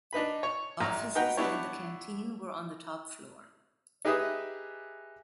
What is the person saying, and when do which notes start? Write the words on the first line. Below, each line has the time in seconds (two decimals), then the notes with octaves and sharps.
Offices and the canteen were on the top floor.
0.13 D4 D#4 B4 B5
0.43 C#5 C#6
0.80 A1 A#5 F6
1.15 D#4 F#4 B4 F#5 G5 A#5
1.37 B3 D4 E4 G4 C#5
4.05 D#4 G4 G#4 B4 E5 D#6